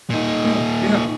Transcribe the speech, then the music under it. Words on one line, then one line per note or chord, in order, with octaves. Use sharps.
Yeah, yeah.
A#2 D#4